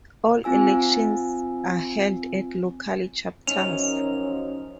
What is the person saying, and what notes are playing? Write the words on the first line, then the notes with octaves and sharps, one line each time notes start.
All elections are held at local chapters.
C4 F4 G#5 E6
F#2 F3 C#4 D#4 F7